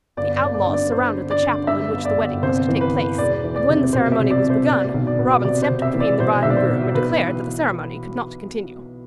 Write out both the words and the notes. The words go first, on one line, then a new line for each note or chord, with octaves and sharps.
The outlaws surrounded the chapel in which the wedding was to take place and when the ceremony was begun Robin stepped between the bride and groom and declared that the ceremony could not continue.
G1 D5
D5
G1
D5
G2
D5
D3 C5
D3
D5
D3
G2 E5
G1
D5
G1
C2 C5
E3
B4
E3
E1 D5
E3
D5
C3
B2 C5
E5
C2
D5
C2
C5
B2 D5
B1
D5
B2
C3 D5
C5
C3
E5
E3
D5
B2 C5
B1 E5
D5
C5
B2
B1 B4
E3